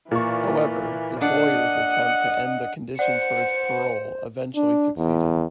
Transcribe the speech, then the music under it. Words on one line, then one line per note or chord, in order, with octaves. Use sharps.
However, his lawyers' attempt to end the conditions for his parole eventually succeeded.
A#2 E3 C#6
D4 D#5 F#5
C5 D5 F#5 C#7
D4
E2